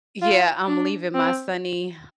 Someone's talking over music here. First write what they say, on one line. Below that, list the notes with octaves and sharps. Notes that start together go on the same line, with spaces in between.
yeah, I'm leaving my sunny
F4
D4
C4